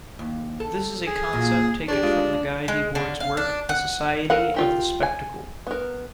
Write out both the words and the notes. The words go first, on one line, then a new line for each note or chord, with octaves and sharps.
This is a concept taken from Guy Debord's work "The Society of the Spectacle".
D#2
A4
G#4
A#2 F#3
D4 G4 G#4 C#5
G#3 F4 G4
G#3
D3
F5
D4
F#5
A4 A#4 F5 F#5
F4 G4 A#4
G#5
B3 A#4